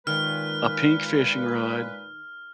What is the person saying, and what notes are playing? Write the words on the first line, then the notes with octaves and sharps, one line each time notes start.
a pink fishing rod."
A#2 D#3 G#3 B4 F6